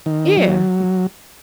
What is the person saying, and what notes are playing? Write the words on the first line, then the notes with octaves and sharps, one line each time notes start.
Yeah, m
D#3
F#3